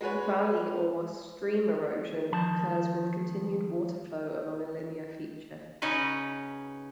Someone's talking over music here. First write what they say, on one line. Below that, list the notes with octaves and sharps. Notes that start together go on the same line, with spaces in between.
"Valley" or "stream erosion" occurs with continued water flow along a linear feature.
G#3 F#4 B4 C#5
D#3 F3 A5
C#3 C#4 D#4 F#4 B4